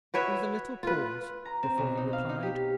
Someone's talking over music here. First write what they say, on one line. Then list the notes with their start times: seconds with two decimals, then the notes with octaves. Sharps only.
There was a little pause before he replied.
0.14 F#4 B4 C#5 E5
0.83 F4 B4
1.45 A#5
1.63 C4
1.78 B1
1.97 D#4
2.13 F5
2.29 D#4
2.43 G4